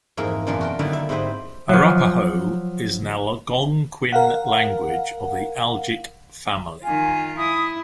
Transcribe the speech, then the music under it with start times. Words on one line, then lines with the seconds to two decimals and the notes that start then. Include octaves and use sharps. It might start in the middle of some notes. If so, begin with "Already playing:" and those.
Arapaho is an Algonquian language of the Algic family.
0.17 F2 G#2 E3 A#3 A#4
0.47 F#2 B2 E3 D4 F4 A#4
0.61 F#4 A#4 G5
0.79 D3 D#3 F#3 A#3 B3 E4
0.93 E5
1.09 G#2 C4 E4 G4 B4 C5
1.69 F3 F#3
4.13 A#4 F5 F#5
6.84 D#3 F4 G#5
7.37 E4 D#6